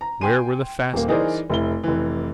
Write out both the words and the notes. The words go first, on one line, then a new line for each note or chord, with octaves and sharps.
Where were the fastenings!
A#5
G5 G#5 C6 D#7
D#1 A#3
E3 D#4 G#4 A#4 C5 D5
F1 E4 G7
F1 E3